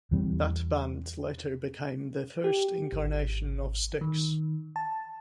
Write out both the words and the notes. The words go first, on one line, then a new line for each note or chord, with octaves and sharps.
That band later became the first incarnation of Styx.
E2 E3 G3 C4
G4
G#1
D#3
A5